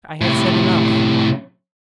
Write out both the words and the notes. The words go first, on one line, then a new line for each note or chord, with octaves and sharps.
I had said enough.
A2 C3